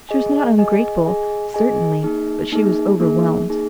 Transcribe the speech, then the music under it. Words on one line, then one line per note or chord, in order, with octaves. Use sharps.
She was not ungrateful, certainly, but she was overwhelmed.
G#4 D#5 G#5
G#4 D#5 G#5
G#4 D#5 G#5
G#4 D#5 G#5
A#3 D#4 G#4
A#3 D#4 G#4
A#3 D#4 G#4
A#3 D#4 G#4